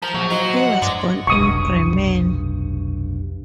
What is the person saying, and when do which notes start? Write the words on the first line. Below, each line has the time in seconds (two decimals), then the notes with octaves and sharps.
He was born in Bremen.
0.02 F3 A#4 C5
0.14 A#1 F3 F#3
0.30 D#4 F#4 C5
0.57 F#5
0.82 G2 G#3 D5
1.27 F1 B1 G2 C#6 D#6